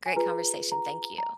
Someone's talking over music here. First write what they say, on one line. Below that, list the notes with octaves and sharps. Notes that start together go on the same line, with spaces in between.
Great conversation, thank you.
G#5
F4 G#4 B4 A#5
A#5
A#5